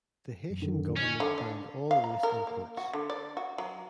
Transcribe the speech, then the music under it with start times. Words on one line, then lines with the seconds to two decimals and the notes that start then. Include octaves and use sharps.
The Haitian government banned all waste imports.
0.50 F#2
0.62 F#2 D3 D#3
0.96 C#4 D#4
1.20 D3
1.38 D4
1.91 F5
2.04 A#5
2.23 A#4
2.47 A#3
2.77 F#4
2.93 D3
3.10 D5
3.37 F#4
3.58 F#3